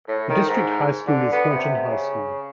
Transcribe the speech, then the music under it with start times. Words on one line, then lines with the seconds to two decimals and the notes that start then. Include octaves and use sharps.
The district high school is Horton High School.
0.08 A2
0.30 D#3
0.48 G#2
1.07 D3
1.32 B3
1.50 C3
1.88 C#3